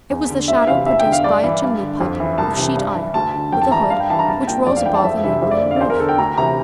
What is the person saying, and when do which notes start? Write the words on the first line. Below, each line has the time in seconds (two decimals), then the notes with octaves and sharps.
It was the shadow produced by a chimney-pipe of sheet iron, with a hood, which rose above a neighboring roof.
0.10 E2
0.30 D3
0.48 D2 E5
0.67 C3 E3 F5
0.86 E2 E5
0.99 G5
1.05 D3
1.12 F5
1.24 G2 D5
1.44 E3
1.62 G2
1.81 D3
2.00 F2
2.20 E3
2.38 C2 A5
2.57 C3 E3
2.77 G2
2.95 E3
3.14 D2 A5
3.34 D3
3.52 F2 G5
3.62 A5
3.71 E3 A#5
3.81 A5
3.90 G2 F5
4.00 G5
4.10 E3 A5
4.19 A#5
4.28 C2 A5
4.47 A#2 G5
4.67 F2 D5
4.76 F5
4.85 E3 G5
4.94 A5
5.04 F2 E5
5.24 C3 E3 E5
5.42 F2 E5
5.51 D5
5.62 D3 D5
5.71 F5
5.76 D5
5.80 E2 C5
5.90 A#4
6.00 D3 A4
6.09 G5
6.18 D2 A#5
6.38 C3 E3 A#5